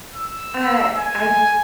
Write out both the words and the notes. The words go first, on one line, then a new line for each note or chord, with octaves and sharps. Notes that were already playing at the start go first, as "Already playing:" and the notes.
uh, I
E6
G#5